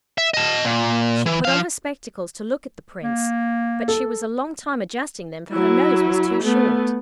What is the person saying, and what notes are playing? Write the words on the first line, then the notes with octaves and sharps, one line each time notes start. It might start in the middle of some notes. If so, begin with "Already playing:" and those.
She put on her spectacles to look at the Prince; but she was a long time adjusting them, for her nose was too short.
E5
D#5 A5
A#2
E3
F3 F5
A#3
A4
F#3 E4
A3 B3